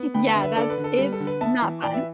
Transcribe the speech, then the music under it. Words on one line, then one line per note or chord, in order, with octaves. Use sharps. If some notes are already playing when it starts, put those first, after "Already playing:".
I yeah. That's it's not fun.
Already playing: B3
D3 G5 B5
B4 E5
D3
B4 E5
D3 A4 D5
B4
D3
A4
G3 B4
A4
D3
B4
B3 E5 A5
E3
E3 D5 G5
B4 E5